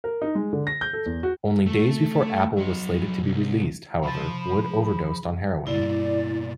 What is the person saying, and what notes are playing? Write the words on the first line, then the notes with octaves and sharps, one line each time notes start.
Only days before "Apple" was slated to be released, however, Wood overdosed on heroin.
A#4
D#4
G#3
D3
A#6
G6
A4
E2
F#4
A3
F#3 D#5
C2
C3 F3 A5 B5 A6
G#4
G2 B2 G3 A#3 E4 D5